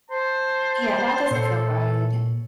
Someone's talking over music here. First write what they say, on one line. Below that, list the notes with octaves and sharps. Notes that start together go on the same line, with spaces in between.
Yeah, that doesn't feel good,
C5 A5
A#2 A4 C#5